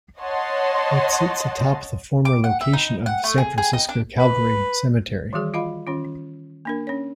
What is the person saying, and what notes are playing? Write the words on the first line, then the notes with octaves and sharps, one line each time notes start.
It sits atop the former location of the San Francisco Calvary Cemetery.
C#5 D#5 F#5 A5 C6
D6
F#5
E5
D#4
F#5
A3
G#4
G#4
D#4
D4
B4
D#3 E3 G3 F#4 G#4
F4 D#5 F5 B5
D#3 C#4 F4
A#3 D4 A#4
C#4 C#5